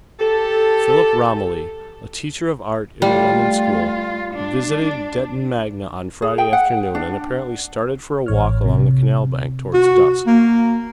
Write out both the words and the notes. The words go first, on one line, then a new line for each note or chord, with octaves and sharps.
Philip Romilly, a teacher of art in a London school, visited Detton Magna on Friday afternoon and apparently started for a walk along the canal bank, towards dusk.
G4 A4
G3 A3 F4
D4
G#4
G5
F#5
D4
A1 C#5 F6
C3
F#4
A#3